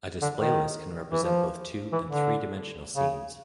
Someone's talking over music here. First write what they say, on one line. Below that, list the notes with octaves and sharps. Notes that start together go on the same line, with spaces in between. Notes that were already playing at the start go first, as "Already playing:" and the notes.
A display list can represent both two- and three-dimensional scenes.
D3
D#3
E3
F3
E3
D3
C#3